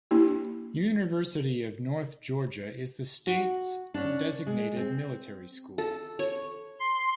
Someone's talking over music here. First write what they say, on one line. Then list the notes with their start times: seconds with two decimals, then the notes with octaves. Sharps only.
University of North Georgia is the state's designated military school.
0.11 A#3 D4 E4 G4
3.27 F#4
3.94 C#4 D4
4.47 G#3
4.76 C4
5.78 A4
6.19 C#5
6.80 C6